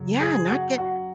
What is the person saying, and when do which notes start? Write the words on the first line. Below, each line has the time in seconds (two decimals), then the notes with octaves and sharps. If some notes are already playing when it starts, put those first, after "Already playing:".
Yeah, not get
Already playing: F#2 C#3 F#3
0.20 G#4
0.49 F#4
0.78 F#4